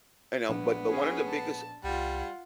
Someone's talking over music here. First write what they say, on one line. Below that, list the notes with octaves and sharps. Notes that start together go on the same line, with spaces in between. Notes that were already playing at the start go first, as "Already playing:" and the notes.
and, um but but one of the biggest
A#1 B3
C#4 G#4 B4
A5
C2 G3 F4 F#5